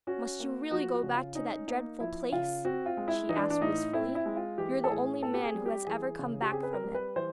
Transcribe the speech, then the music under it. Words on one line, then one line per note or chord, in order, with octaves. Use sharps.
'Must you really go back to that dreadful place?' she asked wistfully. 'You are the only man who has ever come back from it.'
C#4 F#4
A#3
F3 F#4
F#4
C#3
F4
C#4 D#4
A#3 D#4
F3 E4
C#3 F4
C4 F#4
F4
G#3
E4
E3 D#4
D4
D4
A2 D#4
C4 E4
E4
G#3
F4
E3 G4
A4
A2 G#4
C4 A4
G4
G#4
G3
G4
E3 G#4
C#3
G4
C4 G#4
B4
A#4
G3
B4
E3 C5